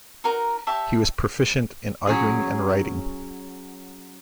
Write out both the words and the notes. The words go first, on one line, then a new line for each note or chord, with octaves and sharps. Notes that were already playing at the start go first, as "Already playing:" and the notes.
He was proficient in arguing and writing.
D#4 F#4 A#4
G4 C#5 E5 A5
F#3 C#4 G#4